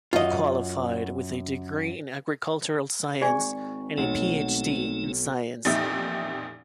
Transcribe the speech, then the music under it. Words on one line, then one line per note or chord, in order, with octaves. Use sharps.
He qualified with a degree in Agricultural science and a PhD in science.
F#2 F4 F#4 D#5
G#1 G#4 D5 G#5 C#6
B1 A3 D#4
A1 F2 A#2 D#4 G4 E5